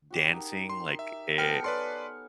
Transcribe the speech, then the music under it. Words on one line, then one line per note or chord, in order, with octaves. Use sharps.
dancing, like, e
F#4 G4
D#4 G4 A#4
C6
E5
B3 A4 G5 F6 C#7
B4 C#5 D5 G#5 C6